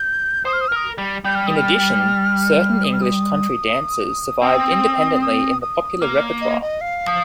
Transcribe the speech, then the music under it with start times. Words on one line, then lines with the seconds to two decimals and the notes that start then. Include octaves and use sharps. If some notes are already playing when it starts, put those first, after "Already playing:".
In addition certain English country dances survived independently in the popular repertoire.
Already playing: G6
0.45 C5 D#6
0.53 F6
0.61 D#6
0.68 F6
0.72 A#4 D#6
0.98 G3
1.25 G3 G6
1.35 F6
1.47 D#6
1.56 F6
2.84 D#6
2.93 F6
3.02 D#6
4.42 C4 D#6
5.22 D#6
5.62 D#6
6.01 A#3 F6
6.41 D#5
6.61 D#5
6.81 F5
7.07 F3